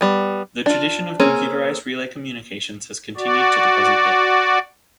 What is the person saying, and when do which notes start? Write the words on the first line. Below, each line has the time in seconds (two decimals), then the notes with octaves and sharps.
The tradition of computerised relay communications has continued to the present day.
0.01 G3 B3
0.66 D4 F4
1.20 A#3 C4 C#4 G#4
3.17 F#4 D5